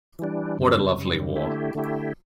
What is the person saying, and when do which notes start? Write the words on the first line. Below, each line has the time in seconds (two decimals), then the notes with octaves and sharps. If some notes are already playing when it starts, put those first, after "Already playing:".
What a Lovely War.
0.19 E3 G3 D4
0.59 F#2 C#3 G3
0.96 F#2 C#3 G3
1.35 D3 A3 E4 G4
1.75 D3 A3 E4 G4